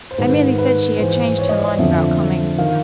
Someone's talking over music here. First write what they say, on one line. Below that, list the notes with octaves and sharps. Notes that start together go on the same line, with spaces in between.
"I merely said she had changed her mind about coming."
C5
G#2 D#3 B4
B4
G#2 E3 C5
C#5
D#5
D5
D#5
F2 D3 F3 E5
D#3 F5